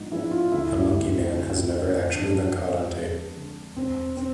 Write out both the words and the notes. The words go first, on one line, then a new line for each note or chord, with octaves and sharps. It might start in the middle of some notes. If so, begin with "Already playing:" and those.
The monkey man has never actually been caught on tape.
Already playing: G#2 F3 G#3 B3 D4
F3 G#3 B3 D4 E4
F4
D2 E4
D3 A3 C4
D2
D3 A3 C4
F2 D4
D3 G#3
F2
D3 G#3
E1 C4
C4